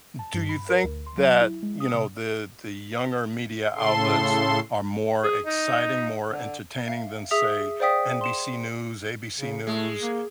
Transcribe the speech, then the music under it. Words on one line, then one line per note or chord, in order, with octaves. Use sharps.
Do you think that, you know, the the younger media outlets are more exciting, more entertaining than, say, NBC News, ABC News,
A5
G2
B5
A#4
D2
C6
F#3
E4
G#3
D#6
C3
A2 C#3 A4 C6
G#4
D#4
D3
E5 F5
G#4 E5 D#6 E6 B6 F7
C5 D5 F5 G5 D#6 B6
C6 E7
C#3
G#3 A3
A#3